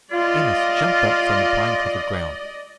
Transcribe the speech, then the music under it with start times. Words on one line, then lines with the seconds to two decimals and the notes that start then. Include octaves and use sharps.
Amos jumped up from the pine-covered ground.
0.12 F4 D5 D#5